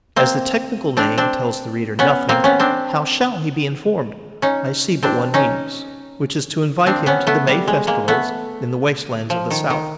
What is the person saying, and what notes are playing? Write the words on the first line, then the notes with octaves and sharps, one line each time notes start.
As the technical name tells the reader nothing, how shall he be informed? I see but one means, which is to invite him to the May festivals, in the waste-lands of the South.
A#3 C4
C4 D4
C4 D4
B3 C#4
A#3 C4
B3 C#4
C4 D4
C#4 D#4
C4 D4
C#4 D#4
C4 D4
B3 C#4
A3 B3
G3
G#3
G#3 A#3
A3 B3
F3
D#3
D#3